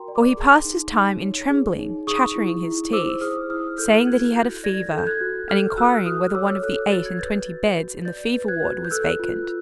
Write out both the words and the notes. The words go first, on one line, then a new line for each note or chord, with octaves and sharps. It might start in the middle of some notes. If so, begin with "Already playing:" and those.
Or he passed his time in trembling, chattering his teeth, saying that he had a fever, and inquiring whether one of the eight and twenty beds in the fever ward was vacant.
Already playing: F#4 A#4 G5 A#5 C6
D5
C6 D6
G#4
D#4
D#4
C#5
G#4
D#4
G#4 C#6 D#6
E4
E4
C5 D6 E6
E6
G#4 D#6 F6
E4 D#6 F6
A4 F6 G6
F#4 F#6 G#6
F#4 G6 A6
D5 G#6 A#6
A4
G6
F#6 G#6
F#4
A4 F6 G6
F#4 E6 F#6
F#4 D#6 F6
C#5 D6 E6
A4 E6 F#6
F#4 A6
G#6
B4 G6 A6
F#4
F#4
D5 G6 A6
B4
F#6 G#6
F#4
G6
A4 E6 F#6
F4